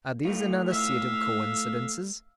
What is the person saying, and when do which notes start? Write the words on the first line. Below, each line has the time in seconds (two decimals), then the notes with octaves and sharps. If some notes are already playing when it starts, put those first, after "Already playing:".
Are these another set of coincidences?
0.25 A2 F4
0.68 E5 F5